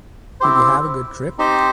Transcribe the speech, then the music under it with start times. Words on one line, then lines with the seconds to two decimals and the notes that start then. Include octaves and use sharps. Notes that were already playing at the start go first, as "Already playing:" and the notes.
Did you have a good trip?
0.41 C4 E4 G4 C5
1.38 C4 D#4 G4 C5